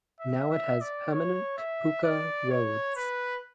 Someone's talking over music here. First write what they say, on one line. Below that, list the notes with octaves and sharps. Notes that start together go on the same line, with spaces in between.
Now It has permanent pucca roads.
E5
E5
D5
C#5
E5
D5
C#5
B4